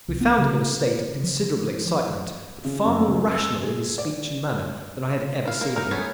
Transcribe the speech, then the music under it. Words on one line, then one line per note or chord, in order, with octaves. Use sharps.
We found him in a state of considerable excitement, but far more rational in his speech and manner than I had ever seen him.
C2
B3
C#3
F3
C#3
F#2
C#2
E6
G#4
D5
E4 F5
A#3
D#4 A#4
A3 B3 C#4 G#4